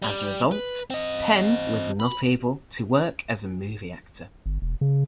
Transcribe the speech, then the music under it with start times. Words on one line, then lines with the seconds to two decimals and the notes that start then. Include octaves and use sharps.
As a result, Penn was not able to work as a movie actor.
0.02 G3
0.52 B4
0.90 C4 D#5
2.00 B5
4.46 G1
4.62 E1
4.81 C#3